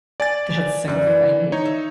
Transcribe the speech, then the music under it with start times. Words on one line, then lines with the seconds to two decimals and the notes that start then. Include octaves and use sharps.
That's so funny.
0.20 D5 G#5 A6
0.88 F#2 A#3 D4
1.07 E3
1.52 D#4 C#5
1.65 E5